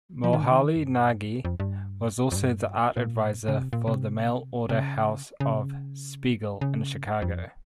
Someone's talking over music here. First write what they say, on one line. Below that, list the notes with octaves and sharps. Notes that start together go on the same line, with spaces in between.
Moholy-Nagy was also the Art Advisor for the mail-order house of Spiegel in Chicago.
F3
D#3
C#3
D#3
F2
G2
F2
G2
F2
G2
A#2
C#3
C3
A#2
C3
C3
C#3
C#3
C3
C#3
C#3
F2